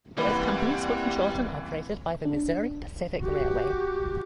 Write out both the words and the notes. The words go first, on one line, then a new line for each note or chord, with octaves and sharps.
Both companies were controlled and operated by the Missouri Pacific Railway.
C#2 E3 G3 A#3 C4 B4 D5 F#5
D4
F#4 G4